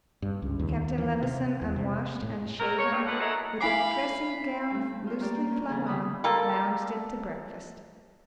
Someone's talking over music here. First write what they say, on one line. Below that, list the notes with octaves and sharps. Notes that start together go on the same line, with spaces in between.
Captain Levison, unwashed, unshaven, with a dressing-gown loosely flung on, lounged in to breakfast.
G2
C#2
D#2
E3
C3
E2
C3
A2
A2 A#4
C#5
G2
A#2 D3 G#3 B4 F#5
E3 F#3 G#3 E4 A4 A#4
E4 F5 G#5 B5 D6 C7
G2 A3
F4 C#5
A#3 G4 D5
A#3 C4 C#4
C#3 E3 F#3 G#4 A4
D3 F3 B3 B5 D#6
G3 A#3 F4 A4